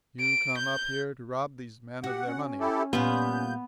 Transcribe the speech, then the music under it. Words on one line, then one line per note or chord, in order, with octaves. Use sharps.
You come up here to rob these men of their money.
D7
G6
F#4 G4 F#5
C#4
E4 G4 A4
A#2 G3 B3 F4 G6